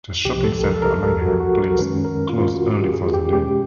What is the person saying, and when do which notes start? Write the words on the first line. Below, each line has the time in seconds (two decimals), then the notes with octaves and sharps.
The shopping centre at Langham Place closed early for the day.
0.25 C2 C3 F3 G4
0.44 A4
0.64 A#4
0.74 A4
0.82 A#4
1.02 A4
1.21 F#4
1.40 F#4
1.60 A#4
1.79 F#2 D#3 G#3 C#4 B4
2.05 A#4
2.30 F4
2.56 F#4
2.75 G4
2.94 G#4
3.14 G4
3.33 B2 G#3 C#4 G4